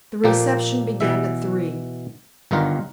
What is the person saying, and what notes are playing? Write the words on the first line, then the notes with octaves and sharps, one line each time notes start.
The reception began at three.
A#2 F3 A#3 G4
B2 E3 E5
G1 G2 D#3 F4 A#4